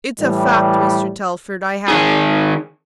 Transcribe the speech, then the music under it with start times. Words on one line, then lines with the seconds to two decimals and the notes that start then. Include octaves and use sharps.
It's a fact, Mr. Telford--I have.
0.20 A2 E3 G3
1.88 D#3 G#4